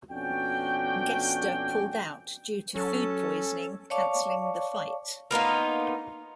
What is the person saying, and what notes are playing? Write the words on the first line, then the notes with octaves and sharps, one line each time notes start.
Gesta pulled out due to food poisoning cancelling the fight.
F2 B2 C#4 D4 F#4 G5
F#3 C#4 A4
C#5 D5 F5 A5 C#6 D6
A#3 B3 D#4 F4